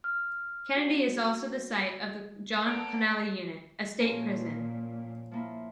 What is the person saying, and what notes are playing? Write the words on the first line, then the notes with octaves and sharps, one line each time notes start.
Kenedy is also the site of the John Connally Unit, a state prison.
F6
F#4
B3 A4 D5 A#5 D7
A#2 F3 A#3 C#4
F3 A#3 E4